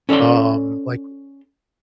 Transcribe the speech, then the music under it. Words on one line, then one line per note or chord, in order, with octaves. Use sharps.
um, like,
C#4 A4 C#5 D5 C6